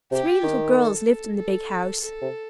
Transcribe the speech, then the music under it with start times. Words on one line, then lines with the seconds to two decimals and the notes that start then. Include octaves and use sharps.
Three little girls lived in the big house.
0.11 C3 G4
0.43 D#3
0.75 A4
1.37 A4
2.01 A4
2.22 C3